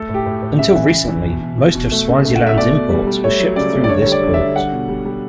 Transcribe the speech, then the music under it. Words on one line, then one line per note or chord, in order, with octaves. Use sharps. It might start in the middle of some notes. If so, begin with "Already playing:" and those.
Until recently, most of Swaziland's imports were shipped through this port.
Already playing: A3 A4
A2
G4
A2
A2
C#3 E5
E3
E3
E3
B2
B2
B2
B2
A3
C#3
A3
F#5
A3
E5
B2 D5
B2
G3
G3
A3 C#5
F#3
C#3 D5
A3
D5
D3 C#5
G3 C#5
D5
D3
E5
D3
G3 F#5
B2
G3
G3